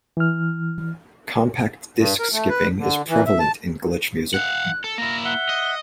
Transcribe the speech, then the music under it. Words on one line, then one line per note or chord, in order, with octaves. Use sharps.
Compact Disc skipping is prevalent in glitch music.
E3 F6
G2
A#4
A3
B4
D3
E3
E5
A5
F5 F#5 F#6
A4
A#3 E4 A#6
E5 F#5 G7
D#5